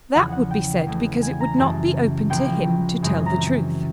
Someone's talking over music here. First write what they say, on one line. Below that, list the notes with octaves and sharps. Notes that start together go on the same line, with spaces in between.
That would be said because it would not be open to him to tell the truth.
E2 C#3 F3 F#5
F#5
G5
E2 C#3 E3 A3
G#5
A#5
F#2 C#3 E3 G3 A5
A#1 A#2 F3 A#3 G5
F#2 C#3 E3 G#3 C4
A#5